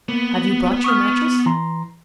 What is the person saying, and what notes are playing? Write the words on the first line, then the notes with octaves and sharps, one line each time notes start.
Have you brought your mattress?
A#3 B3
C#6 D#6 F6
E3 A#5 C6